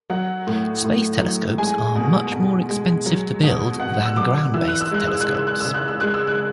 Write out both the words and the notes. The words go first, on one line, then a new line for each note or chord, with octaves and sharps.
Space telescopes are much more expensive to build than ground-based telescopes.
F#3 F#5
A2
A2
F#3
G#3 G#5
B2
B2
G#3
F#3
B2
B2 F#5
E6
F#3 D6
E3 E6
F#6
E6
G#3 F#6
E6
F#6
C#3
E6
F#6
C#3 E6
F#6
E6
G#3 F#6
E6
F#6